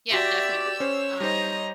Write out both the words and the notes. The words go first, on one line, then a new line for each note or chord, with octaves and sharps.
Yeah, definitely. Um,
F#4 G4 D5 E5 C6 A#6 D7
E6
C#4 C5 C#5
G3 D#4 C5 D#5 A#5